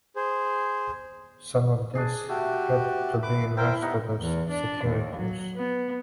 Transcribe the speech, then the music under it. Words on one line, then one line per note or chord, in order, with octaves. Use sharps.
Some of this had to be invested as securities.
G#4 C5
D4 G#4
A3 F#4 G4
B4 D6
E4 A#4 C5 G5
G3 B3 D#4 F#5
E2
D4
D#2
F#3
B3